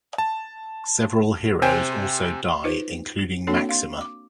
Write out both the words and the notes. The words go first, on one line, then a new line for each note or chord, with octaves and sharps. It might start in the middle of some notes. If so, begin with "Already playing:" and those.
Several heroes also die including Maxima.
A5
C3 C5 G5 G#5
D#4 F4 B4 C5
A#3 C4 D4 F#4 A4 C#5
F5 C6
D6